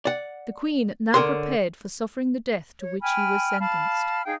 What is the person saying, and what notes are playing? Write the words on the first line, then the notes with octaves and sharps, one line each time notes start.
The queen now prepared for suffering the death to which she was sentenced.
D5 F#5
D3 G4 A#4 C#5 C6
C#5
G5 G#5 B5 F6
F5 A5 B5 F6
D#4 G#4 F5 G5